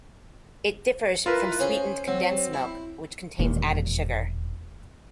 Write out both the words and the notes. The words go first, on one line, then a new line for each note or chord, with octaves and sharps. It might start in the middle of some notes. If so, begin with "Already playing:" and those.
It differs from sweetened condensed milk, which contains added sugar.
E4 F4 A#4 B4
C#4 G#4 C5 C#5
F#3 C4
E4
E1 D#2 A#2